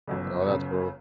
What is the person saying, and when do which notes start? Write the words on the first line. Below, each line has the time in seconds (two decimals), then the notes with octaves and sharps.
Oh, that's brutal.
0.07 G1 F#2 C#3
0.46 G1 F#2 C#3